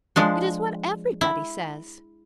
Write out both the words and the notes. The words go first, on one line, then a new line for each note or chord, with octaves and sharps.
It is what everybody says.
F3 G#3 D4
E4